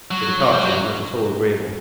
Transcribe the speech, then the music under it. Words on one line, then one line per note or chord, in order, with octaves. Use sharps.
The departure was not at all agreeable.
F#3
F#3
G3
F#3